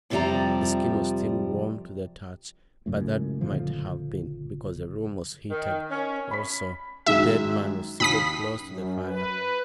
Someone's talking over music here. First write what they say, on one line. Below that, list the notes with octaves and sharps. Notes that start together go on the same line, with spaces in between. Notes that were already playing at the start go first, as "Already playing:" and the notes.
The skin was still warm to the touch, but that might have been because the room was heated. Also, the dead man was seated close to the fire.
F2 C3 F3 G3 D5 A#5
C#2 F#2 A2
F#1 A#2 D3 F3
D#3
C#4
B5 B6
F#2 D#3 G#3 E5
D#2 B5 D#6 B6
F#2
B4